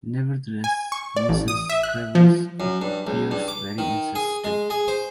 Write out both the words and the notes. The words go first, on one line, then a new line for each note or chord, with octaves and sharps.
Nevertheless, Mrs. Travers appears very insistent.
G#5
C#6
D5
A1
D#6
E5
F#6
F3
F#2
G2
C#2
G2
D6
D#3
G#4
G#3
G#4
C5